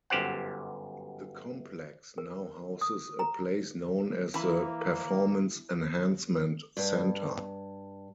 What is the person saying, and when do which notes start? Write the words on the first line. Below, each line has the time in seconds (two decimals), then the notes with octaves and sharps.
The complex now houses a place known as the Performance Enhancement Center.
0.10 G1 F#2 G4 C5 F#5
2.18 A#4
2.81 D#6
3.19 A#5
4.34 E3 A#3 E4 B5
6.77 G2